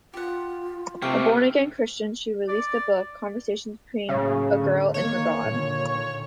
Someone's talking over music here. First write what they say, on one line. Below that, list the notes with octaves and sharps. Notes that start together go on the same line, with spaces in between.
A born-again Christian, she released a book, "Conversations Between a Girl and her God".
F4 G4 F#5
C3 A3 A#3 G5
D5
A2 C#3 F#3 A#3
D3 A3
D#3 A#3 C#5
A#2 D3 D#3